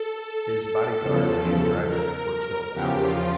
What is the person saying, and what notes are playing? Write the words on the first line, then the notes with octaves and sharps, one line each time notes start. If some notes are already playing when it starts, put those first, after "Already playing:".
His bodyguard and driver were killed outright.
Already playing: A4
E2 C#3 F3
A#4
E2 C#3 F3 G4
F4